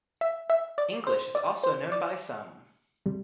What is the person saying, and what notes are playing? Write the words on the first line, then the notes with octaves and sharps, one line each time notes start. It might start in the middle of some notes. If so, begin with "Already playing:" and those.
English is also known by some.
E5
E5
D5
C5
D5
C5
D5
C3 G3